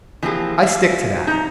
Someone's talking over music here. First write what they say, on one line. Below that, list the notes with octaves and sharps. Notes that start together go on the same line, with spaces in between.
I stick to that.
E3 F3 A#3 F4 G4 G#4
E5 F5
D#4 A#5